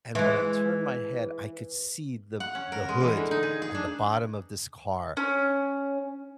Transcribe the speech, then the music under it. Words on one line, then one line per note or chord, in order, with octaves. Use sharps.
And when I turned my head, I could see the the hood and the bottom of this car
E3 G#3
F#5
C#4
A#4
G#3
E3
D3
D#4
G#4
G#4
D4
C#4